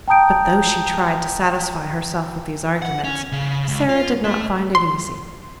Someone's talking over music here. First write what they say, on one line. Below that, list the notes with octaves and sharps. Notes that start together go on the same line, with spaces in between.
But though she tried to satisfy herself with these arguments, Sara did not find it easy.
G5 A5 A#5 D#6 G6 D7
F#5
C#4
C#3
C#2
F4
A3
C6